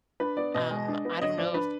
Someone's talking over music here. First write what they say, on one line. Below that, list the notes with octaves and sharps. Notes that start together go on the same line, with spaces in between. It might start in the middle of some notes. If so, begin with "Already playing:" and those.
Um, I don't know if
D4 B4
B3 D5
B2 D#5
G#3
D4
B3
D3 D#5
F3 D5
D4 B4